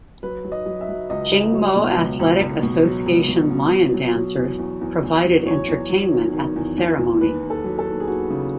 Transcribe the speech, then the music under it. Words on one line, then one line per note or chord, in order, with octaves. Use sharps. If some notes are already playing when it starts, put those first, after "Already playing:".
Jing Mo Athletic Association lion dancers provided entertainment at the ceremony.
F#3 B4
F#3
D#5
F#3
E5
F#3
C#2 D#5
C#2
F#3
B2
C#2
C#2
C#2
B2
F#3
C#2
B2
B2
F#3
F#3
F#3
E2
E2
E2
E2
F#3
E2 C#5
E2
F#3
D#3
D#3
E2
E2
E2
D#2 B4
D#2
A4
F#3
A4
D#2
G#4
D#2 F#4
C#3